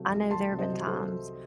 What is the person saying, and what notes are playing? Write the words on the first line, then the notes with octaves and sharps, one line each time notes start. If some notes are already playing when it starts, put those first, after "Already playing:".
I know there have been times
Already playing: C3 F#3 A3
C2
A3 A5 C6
C3
C5 D#5
F#3
A4 C5